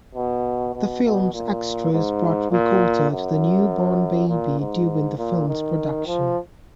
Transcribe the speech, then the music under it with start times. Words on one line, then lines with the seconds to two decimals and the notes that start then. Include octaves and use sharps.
The films extras brought riccota to the newborn baby during the films production.
0.15 B2
0.75 B2
1.03 B2
1.33 A#2
1.93 G#2
2.51 A#2
3.11 F#2
4.29 A#2
4.59 G#2
5.18 A#2
5.48 D#3
6.06 F3